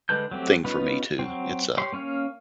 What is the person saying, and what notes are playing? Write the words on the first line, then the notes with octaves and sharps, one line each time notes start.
thing for me, too. It's a
D3 G#3 B4 A5 G6
F#3 A3 C4 G4
B3 C#4 D#4 F4 B4
F#3 C4
G4 C#5 C6
A#3 C#4 C#5 F5